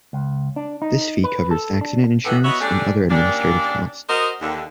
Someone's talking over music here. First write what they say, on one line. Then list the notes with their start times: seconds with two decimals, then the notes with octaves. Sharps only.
This fee covers accident insurance and other administrative costs.
0.13 C#2
0.56 D4
0.82 D#4
1.24 B4
1.51 A4
1.81 D4
2.24 A2 E3 B3
2.44 B3 F#4 B4 C#5 D#5 E5
2.61 G3 A3 C#4 D4
3.10 D#2 A#3 C#4 D4
4.09 F#4 A#4 C5 D#5
4.41 D#2 D3